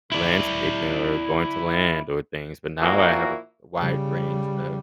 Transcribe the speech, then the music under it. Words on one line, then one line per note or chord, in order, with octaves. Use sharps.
landscaping or going to land or things. But now I have a wide range of
E4 D5
A#2 F3 A#3 E4 F#4 A#4
C#3 G3